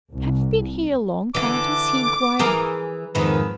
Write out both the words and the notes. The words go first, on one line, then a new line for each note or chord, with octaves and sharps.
"Have you been here long, Countess?" he inquired.
C2
D3 E3 D6
E3 G#4 A#4
F2 G#2 D#3 B4